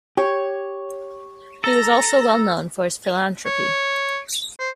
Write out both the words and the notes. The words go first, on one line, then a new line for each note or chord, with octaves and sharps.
He was also well known for his philanthropy.
G4 C#5
A4 A#5 A#6
C#5
C5